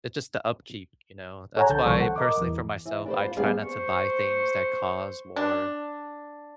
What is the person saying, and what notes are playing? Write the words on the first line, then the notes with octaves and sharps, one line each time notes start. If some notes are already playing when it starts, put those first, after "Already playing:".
it just the upkeep, you know? That's why, personally for myself, I try not to buy things that cause more,
A4 C#5 F#5 G#5 A#5
C2 D3 A4 A5 G6
C2 E3 A4 C5 C#6
F#5
A#4 D#5 D6
E2 E3
E3
D4 B4 C5
F4
G3 B3 D4 G#4 D5 F5
C5 C#6
D4